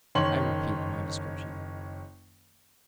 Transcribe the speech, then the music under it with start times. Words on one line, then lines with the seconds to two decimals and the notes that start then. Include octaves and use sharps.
I repeated my description.
0.15 F#1 D#3 C#5 C6 F#7